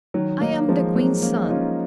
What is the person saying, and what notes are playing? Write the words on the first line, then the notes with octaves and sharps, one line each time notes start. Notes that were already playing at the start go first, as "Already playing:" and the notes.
I'm the Queen's son.
D#3 F#3
F#3 A#3
F3 G#3
F#3 A#3
A#3 C#4
D#4
C#4 F4